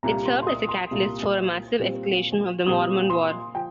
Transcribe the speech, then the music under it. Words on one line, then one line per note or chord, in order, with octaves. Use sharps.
It served as a catalyst for a massive escalation of the Mormon War.
C2 A#2 G3 A#3 A#5
C6
C6
D#6
C6
C2 A#2 G3 A#3
A#2 G3 C4
A#2 G3 C4 D#6
C6
F3 G5